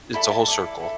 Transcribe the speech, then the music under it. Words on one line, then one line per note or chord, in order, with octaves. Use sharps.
it's a whole circle.
E4 A4 D5 B5
A5
E4 A4 D5
E4 A4